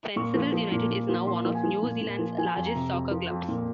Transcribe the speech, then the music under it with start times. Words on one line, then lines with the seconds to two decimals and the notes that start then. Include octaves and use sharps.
Fencibles United is now one of New Zealand's largest soccer clubs.
0.16 A#2 C#6
0.34 F3
0.53 F3
0.72 A#2
0.91 A#2
1.09 F3
1.27 A#2 C6
1.45 F3
1.55 G#5
1.64 F3
1.83 A#2
2.01 A#2
2.19 F3
2.38 F3 G#5
2.56 F2
2.66 A#5
2.75 C3
2.93 F2
3.11 F3
3.31 F2
3.49 A#2